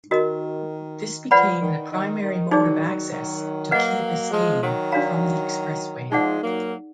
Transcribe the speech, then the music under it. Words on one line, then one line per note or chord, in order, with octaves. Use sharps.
This became the primary mode of access to Key Biscayne from the expressway.
D#3 F#4 A#4 D#5
F3 B4 D5 F#5 B5
D#3
D#3
D#3
D#3 F#3 D#4 G#4 D5
D#3 F#3
F#3 A#3 B4 D#5 F#5
F3 G#3
D#3 F#3
D4 F#4 D5 F5 A#5
F3 G#3 D#4 G#4 D5 F#5
F#3 A#3